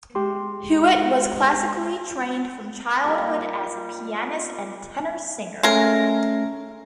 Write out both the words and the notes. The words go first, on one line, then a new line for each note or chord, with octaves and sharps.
Hewitt was classically trained from childhood as a pianist and tenor singer.
G#3 G4 C6
A#2 G3
G#3 A3 C#4 A#4